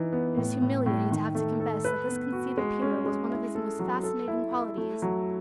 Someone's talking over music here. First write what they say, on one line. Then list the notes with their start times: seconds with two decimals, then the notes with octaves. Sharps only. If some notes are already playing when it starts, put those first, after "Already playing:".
It is humiliating to have to confess that this conceit of Peter was one of his most fascinating qualities.
Already playing: E3 D#4
0.12 B3
0.37 A2
0.62 A2
0.86 A2
1.11 D#3
1.35 A3
1.60 A4
1.85 B4
2.08 B3
2.32 F#4
2.58 G#3
2.82 C#4
3.06 G#3
3.30 E4
3.55 A4
3.79 F#3
4.03 A4
4.28 E4
4.52 E4
4.77 A3
5.02 F#3